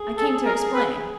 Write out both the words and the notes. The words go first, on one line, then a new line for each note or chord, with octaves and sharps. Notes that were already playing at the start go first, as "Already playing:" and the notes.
I came to explain.'
Already playing: G#4
A4
A#4
B4